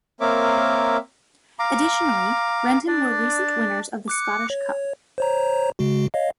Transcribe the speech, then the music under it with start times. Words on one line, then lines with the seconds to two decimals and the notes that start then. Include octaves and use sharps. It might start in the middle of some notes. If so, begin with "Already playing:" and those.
Additionally, Renton were recent winners of the Scottish Cup.
0.21 A#3 C4 A#4 C#5 E5 D6
1.59 F5 A#5 D6
2.87 D4 D5
4.08 D6 F#6 C#7
4.50 C#5
5.18 C5 C#5 A#5
5.79 C#3 G#3 F#4
6.14 C#5 D#5 F5